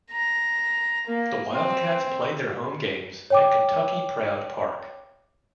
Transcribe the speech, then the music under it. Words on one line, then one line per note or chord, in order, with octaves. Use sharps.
The Wildcats play their home games at Kentucky Proud Park.
A#5
A#3
C4
C#5 G5 D6